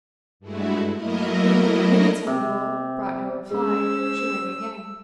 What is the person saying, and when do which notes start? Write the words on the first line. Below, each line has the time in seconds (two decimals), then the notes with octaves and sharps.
When a minute's interval brought no reply, she rang again.
0.40 G2 G#3 A3 E4 F#4
0.94 F#3 A3 A#3 E4 A#4 D#5
2.27 C3
3.51 G#3 C#4 C5 E6